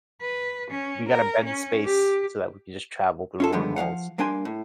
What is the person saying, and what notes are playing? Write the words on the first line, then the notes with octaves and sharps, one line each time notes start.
we gotta bend space so that we can just travel through wormholes.
B4
C#4
A#4
C#4
G4
C#4 F4 A4
D3 D#3 F3 G3 G#3 B3
F3 F#3 F5 F#5
G2 A#3 D4 G5 G#5 C6
A2